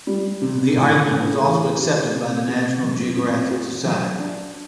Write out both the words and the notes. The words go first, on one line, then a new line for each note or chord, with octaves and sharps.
The argument was also accepted by the National Geographic Society.
G3
C3
A2
A2
E3
G4
C3
C3
F#2
C4
F#4
F#3
D4